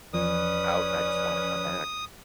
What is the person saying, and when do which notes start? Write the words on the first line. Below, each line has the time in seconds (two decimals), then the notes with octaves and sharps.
out and I just wanna come back.
0.14 E2 F3 C#4 B4 D5 D#6